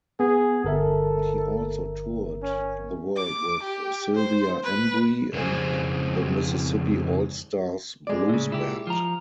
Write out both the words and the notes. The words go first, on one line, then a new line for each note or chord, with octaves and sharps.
He also toured the world with Sylvia Embry and the Mississippi All-Stars Blues Band.
B3 G#4
G1 A4 A#4 E5
C#4
D6
G4
C5
B4
F2 C#3 G#3 F#4 C5 G#5
G#3 D5
A2 C#3
A#2 E4 G4
F3 A#5